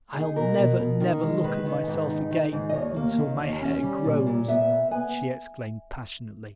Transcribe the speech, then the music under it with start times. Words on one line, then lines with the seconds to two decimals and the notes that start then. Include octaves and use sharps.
"I'll never, never look at myself again until my hair grows," she exclaimed passionately.
0.14 D#4 G#4
0.36 B2 A#4
0.58 B2
0.80 B2
1.00 D#3
1.22 G#3
1.44 D#3 B4
1.66 D#3
1.87 G#2
2.09 D#4
2.31 D#3
2.52 G#2
2.69 D#5
2.74 D#2 C#5
2.96 A#3
3.18 D#3
3.40 D#2
3.62 C#4
3.83 G3
4.04 A#2
4.27 A#2
4.48 B3 E5
4.70 B3
4.91 B3 G#5